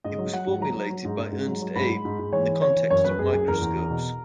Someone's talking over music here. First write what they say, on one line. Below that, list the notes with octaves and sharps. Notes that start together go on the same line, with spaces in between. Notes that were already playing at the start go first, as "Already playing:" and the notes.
It was formulated by Ernst Abbe in the context of microscopes.
G#2 D#5
F#3
F#3 F#5
G#2
F#3 A#5
F#3
F#3
G#2
G#2
G#2
F#3
F#3
G#2 B5
G#2
G#2
G#2
E3 C#5
E3
E3 C#5
E3
F#2 C#5
F#2 B4
F#2 G#4
F#2 G#4
E2 A#4
E2
E2
B2